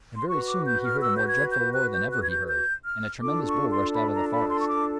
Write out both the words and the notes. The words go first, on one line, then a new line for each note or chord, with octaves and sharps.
And very soon he heard a more dreadful roar than ever he heard, and a tremendous bull rushed out of the forest.
C6
F#4 C#6
B4
D6
G6
F6
E6
G6
G#6
G6
F#6
G6
F#6
G#6
G6
G6
F6
D4 F4 A4 D6
C#6
C6
B5
A#5
B5
C6
C#6
D6